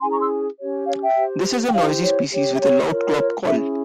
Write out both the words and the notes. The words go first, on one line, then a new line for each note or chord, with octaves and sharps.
This is a noisy species with a loud "clowp" call.
C#4 E4 G#4 G#5 C6
A#5 C#6
C6 E6
C#4 G4 C#5
C#5 F5
E5 G5
G4 C5
G5
E4 G4 C5 C#5 F5
C#5
G4 C#5
E5
C#5
F4 A#4 C#5
C#5
C#4 E4 G#4 E5